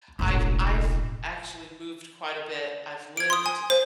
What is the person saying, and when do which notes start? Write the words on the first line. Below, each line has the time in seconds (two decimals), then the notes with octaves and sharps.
I've I've actually moved quite a bit. I've lived,
0.19 E1 A1
3.17 G#6 D7
3.30 C6 D#6
3.46 G#5
3.70 C5